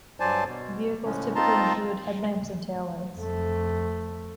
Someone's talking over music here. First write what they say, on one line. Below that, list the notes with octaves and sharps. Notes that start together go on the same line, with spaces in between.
Vehicles typically include headlamps and tail lights.
G2 F#3 C5 D5 G#5 A5
B2
A2 C#3 F3 G#3 C#4
C4 D#4 F4 A5 A#5 C6
F2 A3